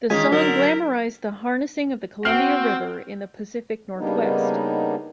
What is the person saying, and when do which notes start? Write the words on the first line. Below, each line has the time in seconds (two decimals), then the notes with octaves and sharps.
The song glamorized the harnessing of the Columbia River in the Pacific Northwest.
0.10 D#3 E3 G#3 C#4 F4 G#5 B6
0.32 D3 F#3 A#4
2.25 C4 F#4 F6 C7 F#7
3.97 C#3 G3 A#3 B3 D4 D#4